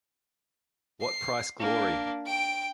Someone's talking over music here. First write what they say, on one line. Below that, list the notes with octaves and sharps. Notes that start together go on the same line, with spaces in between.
What Price Glory?
C7
A#3 D4
G5 D7